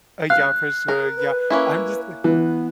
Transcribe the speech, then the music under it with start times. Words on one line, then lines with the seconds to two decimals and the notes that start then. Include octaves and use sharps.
Uh, yeah, for sure. Yeah, I'm just li
0.30 F5 F#6
0.88 G#4 A#4
1.17 B4
1.50 A#3 C#4 E4
2.24 E3 B3